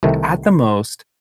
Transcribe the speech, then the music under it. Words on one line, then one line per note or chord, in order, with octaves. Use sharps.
at the most,
C2 C3 D#3 A3